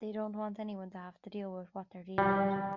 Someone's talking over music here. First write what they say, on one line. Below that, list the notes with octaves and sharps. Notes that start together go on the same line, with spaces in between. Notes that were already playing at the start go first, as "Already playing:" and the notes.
They don't want anyone to have to deal with what they're dealing with.
G3